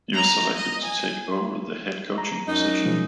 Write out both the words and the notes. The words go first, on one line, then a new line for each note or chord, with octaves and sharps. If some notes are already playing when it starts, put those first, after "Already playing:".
He was selected to take over the head coaching position.
A#5
D#5
G#5
A#5
F#2 D#4
B2 F3 G#3